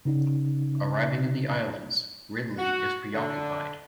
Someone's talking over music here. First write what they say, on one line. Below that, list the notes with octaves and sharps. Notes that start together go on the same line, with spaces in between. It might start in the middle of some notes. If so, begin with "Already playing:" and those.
Arriving in the islands, Ridley is preoccupied.
C#3 C#4 D#4
F#4
D3